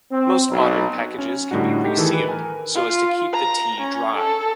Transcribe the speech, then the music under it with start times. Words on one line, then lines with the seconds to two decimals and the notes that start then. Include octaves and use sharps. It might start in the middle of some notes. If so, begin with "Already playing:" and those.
Most modern packages can be resealed so as to keep the tea dry.
0.11 C4
0.50 B1
1.18 C#4
1.51 A2 D3 G3 D#4 F#4
1.84 A3 D#4 G4
1.97 D#3 E3 G#4 A4
2.13 B4
2.29 A#4 G#5
2.75 F4
3.33 A#5
3.81 C#4
4.17 A4